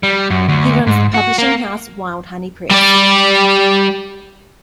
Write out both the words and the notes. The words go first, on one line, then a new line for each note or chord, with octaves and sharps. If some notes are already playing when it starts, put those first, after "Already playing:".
He runs the publishing house Wild Honey Press.
G3
F#2
D2
G#2
F#4
A#3
G3 D5